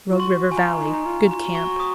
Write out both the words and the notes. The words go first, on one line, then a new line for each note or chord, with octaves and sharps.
Rogue River Valley.--Good camp.
F4 C#6
F#4 C6
F#4 G#5
F4 A#5
D#4
A#5
F4
F#4 A#5
F4
F#4
C#6
D#6